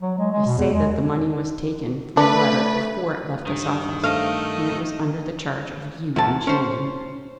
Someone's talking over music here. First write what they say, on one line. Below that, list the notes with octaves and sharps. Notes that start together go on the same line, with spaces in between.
"I say that the money was taken from the letter before it left this office, when it was under the charge of you and Channing."
F#3
G#3
G#3
B2
E2
G#3
A3 D4 B4
G2 D#3
A3 D#5 F5
E2 A#2 A5
C#4 C5